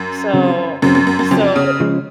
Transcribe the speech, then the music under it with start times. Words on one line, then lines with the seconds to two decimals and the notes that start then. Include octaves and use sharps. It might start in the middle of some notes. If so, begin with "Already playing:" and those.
So, so
Already playing: F#2
0.33 C#3 F#3 C4
0.82 F#2 C#3 F#3 C4
0.95 F#2
1.07 F#2
1.19 F#2
1.31 F2 C#3 F#3 C4
1.56 C#3
1.80 C#3 F3 G#3